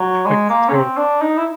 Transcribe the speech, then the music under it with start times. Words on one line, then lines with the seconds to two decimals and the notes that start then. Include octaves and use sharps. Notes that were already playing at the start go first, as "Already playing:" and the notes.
Like, so
Already playing: F#3
0.26 G#3
0.50 A#3
0.69 C#4
0.74 C4
0.97 D4
1.22 D#4
1.38 E4